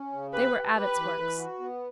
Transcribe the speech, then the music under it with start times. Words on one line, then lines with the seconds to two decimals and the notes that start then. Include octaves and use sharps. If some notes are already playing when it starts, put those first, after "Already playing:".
They were Abbot's works.
Already playing: C#4
0.12 C#3
0.33 G4 B4
0.54 G4
0.75 G4 B4
0.97 E3
1.17 E3
1.38 F#4
1.60 B3